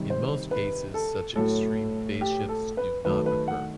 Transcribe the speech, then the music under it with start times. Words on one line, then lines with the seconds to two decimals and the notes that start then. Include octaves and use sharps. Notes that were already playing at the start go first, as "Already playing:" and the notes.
In most cases such extreme phase shifts do not occur.
Already playing: C3 D#3 G3
0.10 C5
0.51 B4
0.94 A4
1.36 A2 F#3 A3 A4
2.21 G4
2.49 A4
2.77 B4
3.05 D#3 F#3 A3 B4
3.26 B4
3.48 F#5